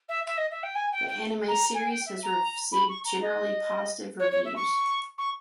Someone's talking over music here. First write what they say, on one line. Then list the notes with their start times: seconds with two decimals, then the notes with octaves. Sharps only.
The anime series has received generally positive reviews.
0.08 E5
0.26 E5
0.37 D#5
0.50 E5
0.63 G5
0.75 G#5
0.91 G5
1.07 G5
1.48 A#5
1.74 G#5
1.89 G5
2.06 E5
2.23 A#5
2.72 B5
2.88 C#6
3.04 A#5
3.21 D#5
4.19 C#5
4.31 C#5
4.44 E5
4.55 C#6
5.18 C#6